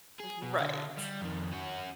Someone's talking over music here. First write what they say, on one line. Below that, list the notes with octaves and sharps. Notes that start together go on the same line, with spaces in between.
R right.
G#4
B2
D3
G3
F2 D#3
C#4 F#4